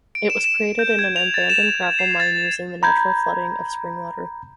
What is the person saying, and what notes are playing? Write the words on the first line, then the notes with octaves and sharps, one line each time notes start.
It was created in an abandoned gravel mine using the natural flooding of springwater.
D7
E7
E7
G6
G#6
F7
A6
E7
G#6
C7
A6
A#5 B5 G6 G#6